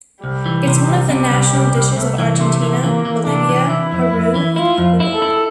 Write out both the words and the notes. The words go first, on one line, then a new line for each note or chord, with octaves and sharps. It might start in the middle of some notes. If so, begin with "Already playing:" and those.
It's one of the national dishes of Argentina, Bolivia, Peru and Ecuador.
C2 G3
E3
C3
C2
C3 G3
C2
C2
C2
C2 A3
E3
C3
E3
E3 A#3
E3
C3 D4
E3
E3 E4
F2
F2
E3
E4 F4
F2
E4
A4
E4